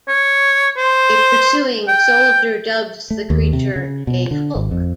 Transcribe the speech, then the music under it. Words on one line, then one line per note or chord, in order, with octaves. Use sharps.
A pursuing soldier dubs the creature a "hulk".
C#5
C5
G5
A3
D#2
C3
C#3
B2
D3
G#1
F2